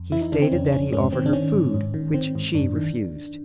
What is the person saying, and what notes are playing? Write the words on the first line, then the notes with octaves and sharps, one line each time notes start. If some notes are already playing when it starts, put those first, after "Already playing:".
He stated that he offered her food, which she refused.
Already playing: F2
E3 E4
D#4
C#3 D4
C4
F2 C#4
D4
F2 C#4
G#2 C#4
D#3 C4
D4
D#3 C#4
G#2
G#2
D#3
D#3 C4
G#2
F#2 D4
D#3